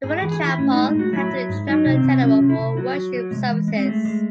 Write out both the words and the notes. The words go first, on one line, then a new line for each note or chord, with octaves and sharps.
Before the chapel, they had to travel to Tenero for worship services.
G#2 G#4
E3 G#4
G#4
E3 E4
A2 C#4
G#3 D#4
D#4
A2 F#4
F#3 E4
F#3
G#2
F#3 D#4
C3
C4
C3
F#3 C#4
C3
E4
C3
F#3 F#4
F#3
F#3
C3 G#3
E3
G#3
C4
G#3 A3
G#3